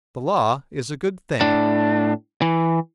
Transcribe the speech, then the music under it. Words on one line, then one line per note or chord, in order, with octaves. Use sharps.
The Law is a good thing.
A2 D4
E3